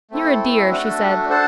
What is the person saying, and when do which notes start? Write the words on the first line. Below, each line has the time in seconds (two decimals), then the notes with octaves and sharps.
'You're a dear,' she said.
0.11 A3 C4 E4 A4
0.70 A3 D4 F#4 A4
1.29 D4 A4 C5 F#5 A5